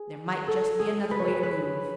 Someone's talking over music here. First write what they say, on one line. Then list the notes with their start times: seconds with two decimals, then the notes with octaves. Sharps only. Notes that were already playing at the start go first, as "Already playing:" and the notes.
There might just be another way to move.
Already playing: G#4
0.48 A4
0.79 G#4
1.11 B4
1.19 C#5
1.27 B4
1.43 B4